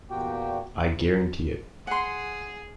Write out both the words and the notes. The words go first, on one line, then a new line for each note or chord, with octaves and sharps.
I guarantee it.
E2 A#2 A#3 F#4 G4 G5
G#4 F#5 C6